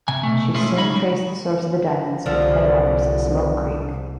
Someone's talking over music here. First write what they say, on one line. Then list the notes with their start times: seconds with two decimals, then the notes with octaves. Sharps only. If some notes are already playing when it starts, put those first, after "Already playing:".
She soon traced the source of the diamonds to the headwaters of Smoke Creek.
0.08 C3 G#5
0.23 B2 A3
0.54 G#3 A3 C#4 E4 F4 G#4
0.76 C2 C#3 D#4 C#5 B5
2.26 C2 D3 F3